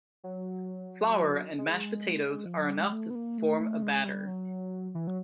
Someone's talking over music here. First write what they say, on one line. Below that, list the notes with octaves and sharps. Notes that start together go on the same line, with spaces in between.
Flour and mashed potatoes are enough to form a batter.
F#3
G#3
F3
F#3
G3
G#3
A3
B3
A#3
A3
A3
A3
G#3
G3
F#3
E3
F#3